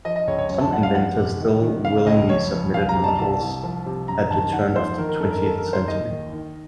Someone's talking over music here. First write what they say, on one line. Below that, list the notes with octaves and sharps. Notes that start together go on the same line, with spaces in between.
Some inventors still willingly submitted models at the turn of the twentieth century.
F3 D#5
D#5
C#2 C#5
C#5
F#2 C#5
A5
F#2 F#5
F5
F3 F#5
C3
D#3
D#3
C#3 F5
C#2 D#5
F2 C#5
F3
C2 F5
A#5
C3
A5
C2 A5
C2
F3
C3
F#2 A#5
D#3 A5
D#2 F#5
F3 C5
D#3 A#4
A#4
F#2 A4
A#4
D#3 A4
A#4
D#3
C5
D#2 D#5
D#3
D#3